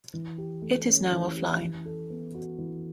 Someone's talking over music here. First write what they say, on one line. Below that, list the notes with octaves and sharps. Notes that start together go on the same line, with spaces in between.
It is now offline.
E3
G4
A3
C#4
E3
G4
E3
A4
B3
F#4
E3